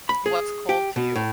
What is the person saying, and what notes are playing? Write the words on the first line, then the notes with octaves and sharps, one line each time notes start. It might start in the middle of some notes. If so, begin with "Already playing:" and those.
What's cold to you?
B5
G#4
G4
B2
A2